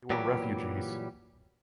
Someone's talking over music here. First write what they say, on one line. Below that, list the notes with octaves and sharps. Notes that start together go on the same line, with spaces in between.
They were refugees.
A#2 E3 F#3 G3 G4